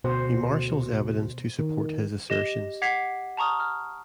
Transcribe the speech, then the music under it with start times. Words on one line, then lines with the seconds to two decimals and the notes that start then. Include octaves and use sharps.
He marshals evidence to support his assertions.
0.04 D2 B2 F#4 C5
1.59 D#3
2.30 G4 D#5 A#6 E7 G7
2.82 F#5 D6 G#6 B6 C7 F7
3.37 A5 A#5 C#6 D#6 F6
3.60 F6